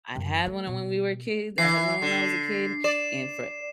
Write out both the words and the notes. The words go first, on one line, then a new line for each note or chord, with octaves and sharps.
I had one, uh, when we were kids. I had one when I was a kid, and for r
F#2
A3
B2
E3 C7
D3
D5 E7